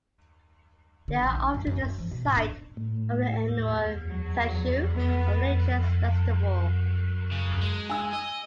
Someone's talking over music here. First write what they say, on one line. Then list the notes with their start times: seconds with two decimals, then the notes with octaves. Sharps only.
They are often the site of an annual "tsechu" or religious festival.
1.08 D3
1.22 A#1
1.36 D#4
1.54 F#2
1.67 F#2
1.86 G2
1.98 F3
2.11 B2
2.25 G#2
2.37 D4
2.77 A2
4.08 F#3
4.94 B3
7.32 C#3
7.63 G#3
7.90 G#5 E6
8.13 D#5